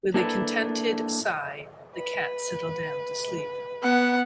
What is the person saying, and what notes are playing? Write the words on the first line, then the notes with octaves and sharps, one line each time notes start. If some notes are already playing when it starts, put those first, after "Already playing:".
With a contented sigh, the cat settled down to sleep.
A#3 D4 E4 A4 B4
B4
B3 F#5